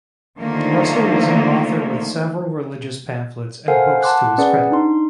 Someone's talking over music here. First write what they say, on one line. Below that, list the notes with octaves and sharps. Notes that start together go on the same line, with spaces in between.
Russel was an author with several religious pamphlets and books to his credit.
D3 D#3 F3 A3 A#3
A4 A#4 C5 F5 F#5 G#5
F#5 A5 C6 D6 F#6
C#4 G#4 B4 D5 F#5
D4 D#4 C6